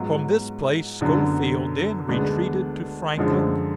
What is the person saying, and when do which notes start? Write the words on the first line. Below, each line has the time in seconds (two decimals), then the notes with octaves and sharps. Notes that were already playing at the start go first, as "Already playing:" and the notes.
From this place Schofield then retreated to Franklin.
Already playing: G#2 F#3 B3 F4
1.01 F#2 D3 F#3 B3
2.09 D2 D3 G#3 B3 D4
3.17 F#2 D3 F3 G#3